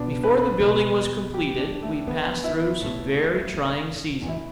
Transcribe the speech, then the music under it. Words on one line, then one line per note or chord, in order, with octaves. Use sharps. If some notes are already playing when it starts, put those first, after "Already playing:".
Before the building was completed we passed through some very trying seasons.
Already playing: B2 B3 D4
B4
B2 B4
G4
D4
A3
D3 B3
E4
A2
A2
E2
E4